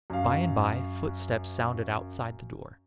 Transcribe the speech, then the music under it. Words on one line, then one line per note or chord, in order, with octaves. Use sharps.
By and by footsteps sounded outside the door.
F#2 F5